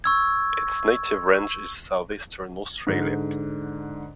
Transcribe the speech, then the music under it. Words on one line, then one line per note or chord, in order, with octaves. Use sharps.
Its native range is Southeastern Australia.
C#6 E6 G#6
G#2 D3